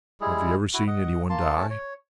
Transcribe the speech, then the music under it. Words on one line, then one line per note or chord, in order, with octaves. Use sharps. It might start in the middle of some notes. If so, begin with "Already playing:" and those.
"Have you never seen any one die?"
G3 G#3 E4 G#4
E4 F#4
D#5 F#5
A#3 A5 C6
A3 C#4 A5
C#5